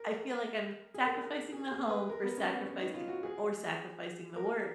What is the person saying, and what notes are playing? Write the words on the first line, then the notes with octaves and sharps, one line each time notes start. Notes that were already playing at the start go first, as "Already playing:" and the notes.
I feel like I'm sacrificing the home for sacrifici or sacrificing the work,
Already playing: A#4
G#4
A#4
G#4
G#4
G#4
B4
A#4
B3
C#4
B3
C#4
D#4
F4
F#4
G#4
A#4